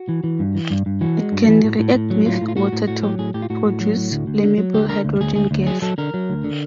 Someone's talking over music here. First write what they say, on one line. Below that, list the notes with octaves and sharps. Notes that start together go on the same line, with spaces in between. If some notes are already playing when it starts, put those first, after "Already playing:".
It can react with water to produce flammable hydrogen gas.
Already playing: F#4
E3
E3
G2
E3
G2
G2
E3 F#4
G#3
G2
E3
A2
A2
A2
F#3
A2 F4
A2
F4
A2 F#4
A2
A2 F#4
F#3 G4
A2 G#4
A2 G4
F4
A2 F#4
A2
F#3
A2
D2
D2
D3
F#3
D2 G4
D3 A#4
D2
D2 G#4
D2 G#4
D2
F#3 G#4
F#3 A4
D3 A#4
F#3
D2
D3